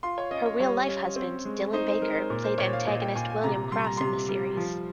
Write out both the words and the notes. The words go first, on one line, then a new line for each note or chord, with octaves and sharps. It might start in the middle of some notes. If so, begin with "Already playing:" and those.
Her real-life husband, Dylan Baker, played antagonist William Cross in the series.
F4 C6
C#5
C#4 D#5
C#5
G3 C#5
C#4
C4
G#3
D#4 C5
C5
G#3 A#4
C5
A#2 A#4
C5
A#2 C#5
F5
A#2 D#5
G5
A#2 G#5
G#5
C3 A#5
G3 C6
A#5
C3 C6
G3
F3